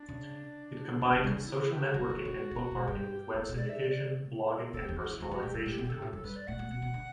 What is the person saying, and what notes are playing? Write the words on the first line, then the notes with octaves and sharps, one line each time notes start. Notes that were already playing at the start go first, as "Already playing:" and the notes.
It combined social networking and bookmarking with web syndication, blogging and personalization tools.
Already playing: D4
C#3
D3
E3
G3
C#4
E3 D4
E4
G4
F#3 F#4
E3
D3
D3
C#3
B2
G2 G4
A2 A4
B2
D5
E5
D5
C#3 A4
E2 G4
F#4
F#2
E4
E2 F#4
F#2 F#4
A2 G4
G2 A4
A2 G4
B2
G4
C#3 A4
G2
A2
F#2 A4
G2 B4
D5
A2 F#5
A2
B2
B2
D3